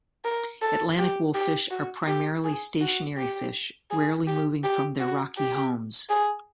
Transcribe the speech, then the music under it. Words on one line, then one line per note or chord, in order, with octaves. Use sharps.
Atlantic wolffish are primarily stationary fish, rarely moving from their rocky homes.
A#4
A4
G4
G4
F#4
G4
G#4
F#4
G4
G#4
G4
G4
F#4
G4
G#4